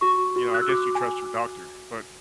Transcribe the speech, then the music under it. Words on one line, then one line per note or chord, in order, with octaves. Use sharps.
you know, I guess you trust your doctor, but
F#4 C#6
F#4
F#6
E6
F#4 D6
G#5